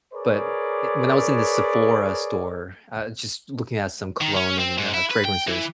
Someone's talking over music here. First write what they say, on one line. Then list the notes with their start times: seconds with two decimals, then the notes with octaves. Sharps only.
but, eh, when I was in the Sephora store, uh, just looking at some cologne and, uh, fragrances,
0.14 G#4 A#4 B4 C#5 D5
4.21 D#3
4.36 C#4
4.59 C4
4.78 G#2
4.94 E4
5.11 B4
5.25 G5
5.47 E3